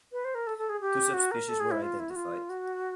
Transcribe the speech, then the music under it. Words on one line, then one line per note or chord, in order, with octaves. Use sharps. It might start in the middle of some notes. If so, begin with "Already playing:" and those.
Two subspecies were identified.
B4
C5
A#4
A4
A4
G#4
G4
F#4
A#4
A4
G#4
E4
F4
E4
F#4
F4
F#4